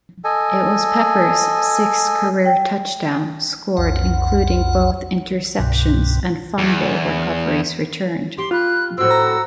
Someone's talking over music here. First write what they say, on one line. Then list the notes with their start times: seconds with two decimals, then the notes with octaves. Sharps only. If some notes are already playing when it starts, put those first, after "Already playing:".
It was Peppers sixth career touchdown scored including both interceptions and fumble recoveries returned.
0.24 A4 D#5 G#5
2.46 G5
3.77 B1 F2 F#5
5.59 C2 G2 B2
6.58 E2
8.38 G4 C6
8.51 F4 B5 F#6
8.98 A2 C4 F#4 E6
9.11 A#5